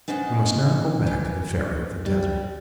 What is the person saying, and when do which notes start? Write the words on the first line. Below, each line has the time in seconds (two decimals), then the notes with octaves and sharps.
We must now go back to the Fairy of the Desert.
0.08 B3 C#4 C5 D#5 F#5
1.07 E3
2.06 G3